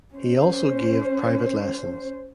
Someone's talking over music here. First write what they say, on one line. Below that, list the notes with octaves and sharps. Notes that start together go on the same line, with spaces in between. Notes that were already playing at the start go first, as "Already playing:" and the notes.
He also gave private lessons.
C#4 C5